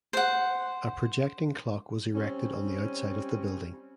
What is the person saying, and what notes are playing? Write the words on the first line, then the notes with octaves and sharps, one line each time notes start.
A projecting clock was erected on the outside of the building.
C5 F#5
G3 C4 C#4